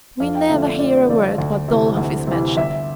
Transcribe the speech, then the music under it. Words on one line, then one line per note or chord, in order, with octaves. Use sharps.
We never hear a word but Dolokhov is mentioned.
F2 F5
G5
D3 F3 A3 E5
D5
F2 D5
C5
D3 F3 A3 D5
D2
C3 E3
D2
C3 E3
G1 E5